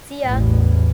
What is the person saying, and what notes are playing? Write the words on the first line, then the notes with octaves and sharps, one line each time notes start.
See ya!
A1 E2